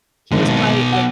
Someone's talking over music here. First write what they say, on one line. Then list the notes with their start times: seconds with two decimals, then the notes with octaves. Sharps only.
he was pi like,
0.32 G#1 D3 F3
0.45 B1 B3
0.92 F#5